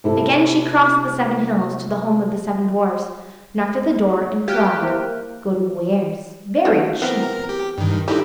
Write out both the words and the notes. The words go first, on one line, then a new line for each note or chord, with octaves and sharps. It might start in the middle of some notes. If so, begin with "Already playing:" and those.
Again she crossed the seven hills to the home of the seven dwarfs, knocked at the door, and cried, "Good wares, very cheap!"
C3 E4 A4
F4 G4 F5 F6 F#6
A#3 E4 C5 E5
F#3 A3
E3 B3 C4 A#4
G4
G2 D#3
D3 G3 D#4 E4 G4